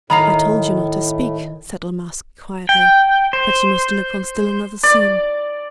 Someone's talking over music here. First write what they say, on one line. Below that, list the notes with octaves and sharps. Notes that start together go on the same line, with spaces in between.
"I told you not to speak," said La Masque, quietly, "but you must look on still another scene."
A2 D#3 F5 A#5 B5
G5
C5
D5